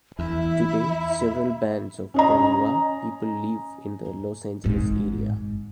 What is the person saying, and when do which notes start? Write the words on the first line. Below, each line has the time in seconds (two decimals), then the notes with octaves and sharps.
Today, several bands of Tongva people live in the Los Angeles area.
0.19 E2 E4 E5
2.14 C#4 D#5 A#5
4.64 G#1 G#2